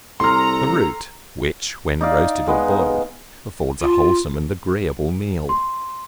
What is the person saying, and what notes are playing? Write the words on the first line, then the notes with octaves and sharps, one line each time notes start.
The root, which, when roasted or boiled, affords a wholesome and agreeable meal.
C2 A4 A#5 C6 F6
D#4 D5 F5
G#3 B3 D#4
F4
C6